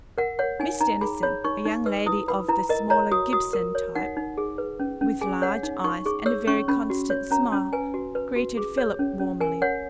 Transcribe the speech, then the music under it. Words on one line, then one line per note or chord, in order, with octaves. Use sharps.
Miss Denison, a young lady of the smaller Gibson type, with large eyes and a very constant smile, greeted Philip warmly.
A#4 F#5
C#5 F#5
D#4 G#5
D#4 A#5
G#4 B5
C#5 B5
D#4 C#6
D#4
B4 E6
E4 D#6
B4 B5
E4 A#5
A#4 D#5
C#5 A#5
F#4 D#6
F#4 D#6
A#4
C#5
D#4 F#5
D#4
G#4
B4
C#4
C#4
G#4 G#5
C#5 F#5
D#4
D#4 C#6
G#4 C#6
C#5 E6
C#4 C#6
C#4 B5
F#4
C#5
C#4 A#5
C#4
B4 G#5
F#4
B4
F#4
G#4
C#5
C#4
C#4
A#4 G#5
C#5 F#5